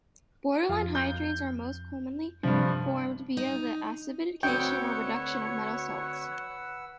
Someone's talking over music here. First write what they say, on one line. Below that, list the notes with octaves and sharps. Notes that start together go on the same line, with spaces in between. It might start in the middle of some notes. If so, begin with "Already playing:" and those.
Borderline hydrides are most commonly formed via the acidification or reduction of metal salts.
F2 F4
G6
G2 C3 F3 D4
D#4
D2 C4 B4 C#5 F#5 G5 E6